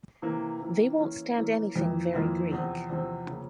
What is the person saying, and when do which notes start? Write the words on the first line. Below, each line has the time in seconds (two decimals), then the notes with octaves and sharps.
They won't stand anything very Greek.
0.22 C3 E3 A#3
0.60 C3 E3 A#3
0.98 E3 A#3 C#4 E4
1.37 E3 A#3 C#4 E4
1.76 F2 E3 A#3 F4
2.14 F2 E3 A#3 F4
2.52 E2 C3 F3 C4
2.90 E2 C3 F3 C4
3.28 C#3 F3 A#3